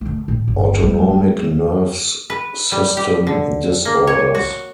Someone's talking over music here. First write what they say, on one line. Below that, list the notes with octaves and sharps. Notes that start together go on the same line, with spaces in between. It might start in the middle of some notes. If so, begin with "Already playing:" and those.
Autonomic nerves system disorders.
D3 A3
A2 G3
G1
G3 A3
G#3 D4
B4
G3
G4
D3
A#3
C#5
F#4